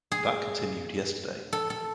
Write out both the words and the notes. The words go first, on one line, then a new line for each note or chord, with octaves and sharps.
That continued yesterday.
G#4
A4
A4